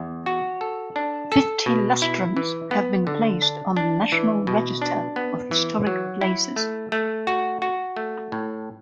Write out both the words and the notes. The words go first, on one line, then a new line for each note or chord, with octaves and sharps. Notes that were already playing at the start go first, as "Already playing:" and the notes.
Fifty Lustrons have been placed on the National Register of Historic Places.
Already playing: E2
F#4
A4
D4
A4
B2
E4
E3
B3
D3
D4
D4
E3
B2
D4
B3
E3
F#3
E4
A3
A3
F#4
F#4
A3
A2